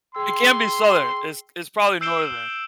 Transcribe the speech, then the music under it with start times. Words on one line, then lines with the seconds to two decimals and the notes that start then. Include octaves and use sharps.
It can't be Southern; it's it's probably Northern.
0.15 G#4 G5 C6 E6
2.01 E6 G6 C7 D7 E7 G7